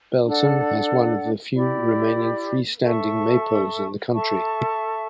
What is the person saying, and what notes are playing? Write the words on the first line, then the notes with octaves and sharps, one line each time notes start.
Belton has one of the few remaining free-standing maypoles in the country.
D4 A4 D5 F#5
E4 G4 D5
A4 E5 A5 C#6
A4 E5 A5 C#6